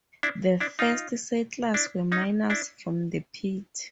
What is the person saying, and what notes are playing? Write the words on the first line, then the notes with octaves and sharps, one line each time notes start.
The first settlers were miners from the pit.
D4 E4
D4 E4
D#4 F4
D4 E4
C#4 D#4
D4 E4